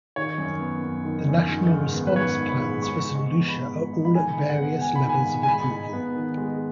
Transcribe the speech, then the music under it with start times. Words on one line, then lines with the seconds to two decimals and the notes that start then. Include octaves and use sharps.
The National Response Plans for Saint Lucia are all at various levels of approval.
0.16 D#3 C#5
0.38 F#2
0.60 B3
0.83 F#2
1.05 D#3
1.27 F#2
1.49 D#3
1.71 G#2
1.94 B3
2.07 B4
2.16 G#2 C#5
2.38 D#3
2.49 B5
2.60 G#2
2.82 G#3 C#6
3.04 D#4
3.16 C#6
3.27 B3
3.49 G#2 B5
3.72 G#3
3.93 D#4
4.05 B5
4.15 D#3 G#5
4.38 G#2
4.49 F#5
4.60 B3
4.81 G#2 G#5
4.96 B5
5.04 D#3
5.09 G#5
5.26 G#2
5.43 G#5
5.48 G#3 B5
5.71 D#4
5.93 B3
6.15 D#3
6.37 G#3